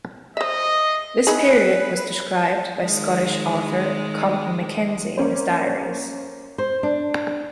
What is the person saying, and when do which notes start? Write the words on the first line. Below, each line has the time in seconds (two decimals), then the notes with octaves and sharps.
This period was described by Scottish author Compton Mackenzie in his diaries.
0.37 C5 D#5 E5
1.27 D#4 E4 G#4 B4
2.78 D#3 G#3
5.18 A#3 C#4 C5
6.58 C5
6.83 D4